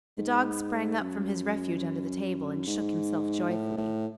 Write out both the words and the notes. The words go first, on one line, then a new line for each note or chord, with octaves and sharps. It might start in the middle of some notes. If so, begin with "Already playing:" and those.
The dog sprang up from his refuge under the table, and shook himself joyfully.
G#2
F#2
G#2
A2
A2